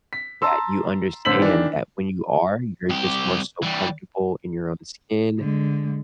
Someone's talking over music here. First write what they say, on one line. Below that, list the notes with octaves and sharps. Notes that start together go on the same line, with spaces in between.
that you understand that when you are, you're just more so comfortable in your own skin
B6
A5 A#5 C6 E6
A1 D3 C5 E6 B6 F#7
D#3 E3 D4
C2 G4
E3 G3
D3 G#3